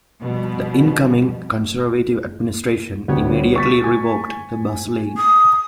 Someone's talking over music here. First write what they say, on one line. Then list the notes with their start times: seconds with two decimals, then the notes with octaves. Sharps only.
The incoming Conservative administration immediately revoked the bus lane.
0.22 B2 F3 G3
3.08 D2 G3 B3 C#5
3.56 C#6 A6 B6
3.84 G#5
5.17 D#6